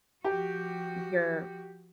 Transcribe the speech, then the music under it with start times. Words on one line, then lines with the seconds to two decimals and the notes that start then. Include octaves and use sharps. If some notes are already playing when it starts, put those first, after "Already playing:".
n you're
0.24 F3 F#4 G4